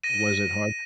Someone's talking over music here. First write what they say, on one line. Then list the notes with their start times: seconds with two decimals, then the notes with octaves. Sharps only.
Was it hard?
0.04 A#6 D#7